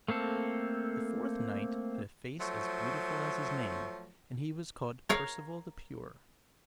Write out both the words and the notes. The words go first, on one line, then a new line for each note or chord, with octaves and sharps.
The fourth knight had a face as beautiful as his name, and he was called Percival the Pure.
A3 A#3 C4 A4
F3 F#3 A3
A#4 C#5 F5